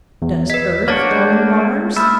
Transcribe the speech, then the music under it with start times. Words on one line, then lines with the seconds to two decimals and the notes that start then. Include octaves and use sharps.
"Does Earth own Mars?"
0.22 E2
0.50 B4 D#5 B6
0.88 A#3 D4 F#4 C#5 D5
1.11 G#3 A3 F#6 G6
1.97 A#3 E5 B5 E6 F6 A6